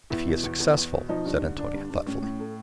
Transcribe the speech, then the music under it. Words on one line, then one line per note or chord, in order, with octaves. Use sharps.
"If he is successful!" said Antonia, thoughtfully.
E2 E4
B2
E2
E2
E2
B2
F3 D#4
G2
D3
D3 D4
G2
G2
A2 C#4
A2
A3